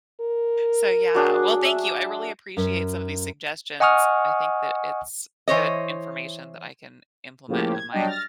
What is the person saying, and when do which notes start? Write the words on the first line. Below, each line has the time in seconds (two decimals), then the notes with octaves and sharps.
So, yeah. Well, thank you. I really appreciate some of these suggestions. I think that it's good information that I can implement in my
0.21 A#4
1.15 F#3 D4 G#4
1.65 E5
2.57 F#2
3.80 D#5 F#5 G#5 C#6 D#6 F6
5.48 E3 C5 C#5 D#5
7.48 A2 C#3 F3 A#3 G4
7.73 G#6
7.92 F#3 G3 D4 D#5 G5
8.07 F6 A6 A#6